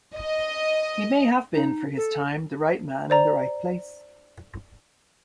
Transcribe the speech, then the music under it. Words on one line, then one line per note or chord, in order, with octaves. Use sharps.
He may have been, for his time, the right man in the right place.
D#5
D#4
A4
C5 D5 A#5